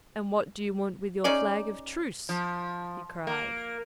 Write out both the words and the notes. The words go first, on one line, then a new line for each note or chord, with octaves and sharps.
"And what do you want with your flag of truce?" he cried.
C#4 D#4 G#4 D5
F3
A#3